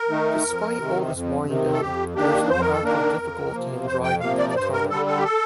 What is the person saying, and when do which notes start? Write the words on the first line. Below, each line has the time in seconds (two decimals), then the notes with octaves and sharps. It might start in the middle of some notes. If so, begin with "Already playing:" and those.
Despite all this winding, there is no actual difficulty in driving through the tunnel.
Already playing: A#4
0.09 D#3 A3 D#4
0.43 F2
0.78 C3 D#3
1.11 F2
1.46 C3 D#3
1.73 A4
1.80 F2 G4
2.15 D#3 A#3 D4 G4
2.49 F2 C5
2.61 A#4
2.72 A4
2.83 D#3 A#3 D4 A#4
3.18 F2
3.52 C3 F3 A#3
3.86 F2 C5
4.03 G5
4.20 C3 F3 A#3 F5
4.38 D5
4.49 D5
4.55 G2 C5
4.73 A#4
4.90 D3 G3 A4
5.06 A4
5.17 G4
5.24 A4